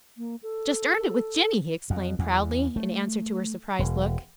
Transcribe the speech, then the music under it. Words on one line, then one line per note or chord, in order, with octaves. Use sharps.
"Just earned it with Jinny," he explained proudly, in answer to her surprised look.
A#3
A4
F2
E2
A3
E1